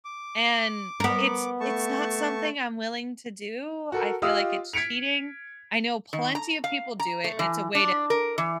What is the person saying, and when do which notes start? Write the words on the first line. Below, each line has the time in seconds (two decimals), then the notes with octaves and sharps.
and it's it's not something I'm willing to do. I feel like it's cheating. I know plenty of people do it, and it's a way to
0.05 D6
1.00 B3 A#4
1.61 A3 A5 C#6
3.92 F#4 A4 A#4
4.22 F4 G4 D#5 F5 D#6 E6
4.73 G#6 B6 C#7 D7 F7
6.13 D#3
6.35 A#5
6.64 F5
7.00 A#5
7.24 A3
7.39 E3
7.75 D4
8.10 A#4
8.38 E3